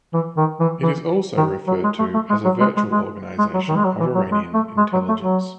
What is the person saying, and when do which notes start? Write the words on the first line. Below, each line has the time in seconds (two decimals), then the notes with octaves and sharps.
It is also referred to as a 'virtual organization' of Iranian intelligence.
0.14 E3
0.37 D#3
0.60 E3
0.83 E3
1.38 D#3
1.68 F#3
1.84 G#3
1.99 A3
2.14 A3
2.30 G#3
2.45 F#3
2.60 G#3
2.77 G#3
2.92 G#3
3.39 G#3
3.54 F#3
3.68 D#3
3.76 G#3
3.85 F#3
4.00 E3
4.15 F#3
4.32 G#3
4.54 A3
4.78 G#3
4.93 F#3
5.09 A3
5.23 F#3